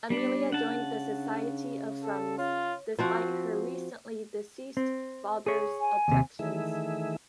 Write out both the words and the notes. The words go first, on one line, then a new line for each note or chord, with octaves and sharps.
Amelia joined the Society of Friends despite her recently-deceased father's objections.
G3 B3 D4
C#3 D4 F#5 A5
A4
F4 C#5
F3 C4 F#4
C4
G#4 C#5
G#5
D#2 C3
D#3 E3 A3 G#4 E5